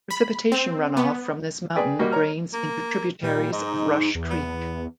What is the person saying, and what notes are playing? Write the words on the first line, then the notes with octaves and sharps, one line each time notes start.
Precipitation runoff from this mountain drains into tributaries of Rush Creek.
B5
C4
B3
G#4 B4 D5 G5
G3 A#3 F#4 D#5
A#4 C#5 A#5 F6
A#3
A#2 G3
G#2 D#4
E2
B3